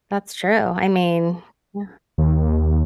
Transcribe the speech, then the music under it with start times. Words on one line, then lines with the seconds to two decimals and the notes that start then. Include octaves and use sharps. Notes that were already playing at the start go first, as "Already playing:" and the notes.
That's true. I mean, yeah.
2.18 D#2